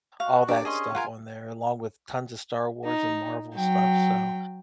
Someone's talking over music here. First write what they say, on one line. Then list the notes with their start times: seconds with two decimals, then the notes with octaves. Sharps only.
all that stuff on there along with tons of Star Wars and Marvel stuff, so,
0.20 F#4 F5
0.49 D4 G4 A#4 D5
0.65 C#4 G#4 D#5 C6
0.95 F4 A#4 F#5 G#5 A#5
2.84 D#4
3.55 F#3 G5